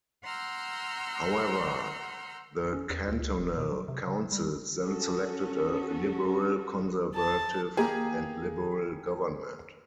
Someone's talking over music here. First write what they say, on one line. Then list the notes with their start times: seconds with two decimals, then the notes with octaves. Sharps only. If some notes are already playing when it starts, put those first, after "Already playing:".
However, the cantonal councils then selected a liberal-conservative and liberal government.
0.23 F#5 A#5 C6 E6 F6 G6
2.73 C#4
2.90 E2
3.07 D2
3.20 C#2
3.38 F1
3.57 B2
3.72 F#3
3.88 C3
4.07 C#3
4.32 G3
4.80 C#4 F#4 A4
7.15 A5
7.77 D#2 A#3 G4 G#4 G5 G#5 A#5